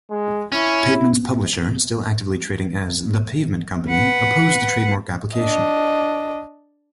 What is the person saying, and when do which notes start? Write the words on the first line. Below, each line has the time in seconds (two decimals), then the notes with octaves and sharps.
"Pavement"'s publisher, still actively trading as "The Pavement Company", oppose the trademark application.
0.11 G#3
0.52 C#4 E4
3.89 B4 F#5
5.36 D4 D#5